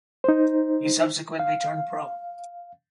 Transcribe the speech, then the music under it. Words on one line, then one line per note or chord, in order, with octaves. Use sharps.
He subsequently turned pro.
D#4 C5
F5